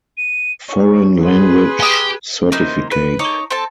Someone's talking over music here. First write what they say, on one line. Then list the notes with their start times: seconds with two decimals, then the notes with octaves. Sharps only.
Foreign Language Certificate.
0.17 D#7
0.68 C#4 C#6
1.24 G#4 B4 C6
1.80 G4 G#5 D#6
2.52 A#3 C4 D#4 E4
2.92 B4
3.19 D#4 C#5 D6
3.51 C4 A4 A5